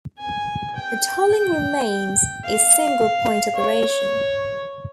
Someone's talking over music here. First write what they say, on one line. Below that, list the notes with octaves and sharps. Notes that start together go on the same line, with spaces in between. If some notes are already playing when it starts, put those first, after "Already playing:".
The tolling remains a single point operation.
G#5
G5
G5
F5
C#5